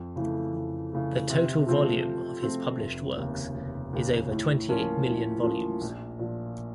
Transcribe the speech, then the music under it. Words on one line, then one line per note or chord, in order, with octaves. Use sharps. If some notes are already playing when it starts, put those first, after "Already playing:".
The total volume of his published works is over twenty-eight million volumes.
Already playing: F2
C#3 E3 A3
F2
C#3 E3 A3
C3
F3 A3 C4 F4
C3
F3 A3 C4 F4
F1
D#2 C#3
F1
D#2 C#3
A2
F3 A#3 C#4 F4
A2
F3 A#3 C#4 F4
A#1
A#2 F3